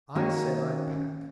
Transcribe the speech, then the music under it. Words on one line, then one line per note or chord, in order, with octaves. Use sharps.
I said I'd pack.
D#3 A#3 C#4 F#4 G5